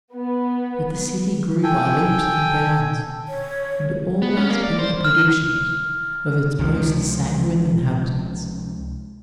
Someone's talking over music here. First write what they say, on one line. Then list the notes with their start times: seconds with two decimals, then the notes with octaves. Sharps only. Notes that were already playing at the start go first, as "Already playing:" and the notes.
But the city grew by leaps and bounds, and always beat the predictions of its most sanguine inhabitants.
0.13 B3
1.63 A4 G5 G#5
3.28 C#5
4.22 B3
4.37 C#4
4.49 A#3
4.63 D5
4.79 C5
5.05 F6
6.59 C#2 C3 F3